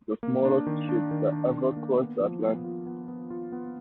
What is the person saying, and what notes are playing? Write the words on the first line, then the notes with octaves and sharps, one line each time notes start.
The Smallest Ship that Ever Crossed the Atlantic!
A#3
D4
D#3
D4
D#3
D4
D#3
A#3
B3
F3
B3
F4
B3
B3
F4
B3